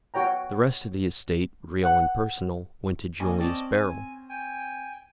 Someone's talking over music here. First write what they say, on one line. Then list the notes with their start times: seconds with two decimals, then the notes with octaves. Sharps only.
The rest of the estate, real and personal, went to Julius Beryl.
0.14 F#4 C#5 G5 A#5
1.84 F#5
3.20 D#2 D4 D#5 G#5
3.39 C4 C#4 D5 D#5 A5
3.72 G#5
4.30 G5 G#5